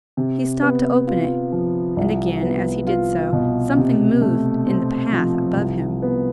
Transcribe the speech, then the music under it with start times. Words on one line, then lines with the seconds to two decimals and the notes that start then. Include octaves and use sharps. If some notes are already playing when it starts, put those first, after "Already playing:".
He stopped to open it, and again, as he did so, something moved in the path above him.
0.17 C3
0.62 B3
1.07 F4
1.52 F3
1.97 C2
2.43 B3
2.87 F4
3.33 B2
3.77 C3
4.21 A3
4.67 C4
5.12 F3
5.57 C2
6.02 B3